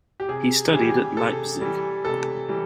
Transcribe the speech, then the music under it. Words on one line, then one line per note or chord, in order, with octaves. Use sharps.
He studied at Leipzig.
G4
C3 G#4
E3 G3 G#4
G4
G#4
C3 A4
E3 G3
C3 A4
E3 G3